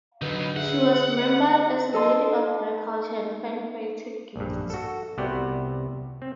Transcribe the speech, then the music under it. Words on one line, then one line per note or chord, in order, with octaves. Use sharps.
She was remembered as "a lady of rare culture and fine poetic gifts".
D3 F#3 D#4 B4
G#4 E5 F#5
D#4 A4 D#5 A5 C6
A#1 G2
F#4 A4
C2 C3 B3 F#4 D5 G5
C4